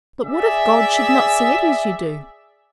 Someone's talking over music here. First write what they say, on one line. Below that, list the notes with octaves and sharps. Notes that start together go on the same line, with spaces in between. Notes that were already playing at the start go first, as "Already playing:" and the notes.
"But what if God should not see it as you do?"
G#4 D5 E5